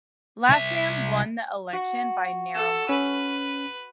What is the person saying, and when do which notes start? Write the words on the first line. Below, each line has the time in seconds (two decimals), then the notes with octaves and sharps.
Lastman won the election by narrow margin.
0.49 C2 E5
1.73 F#4
2.54 A4 E6
2.89 C#4 B4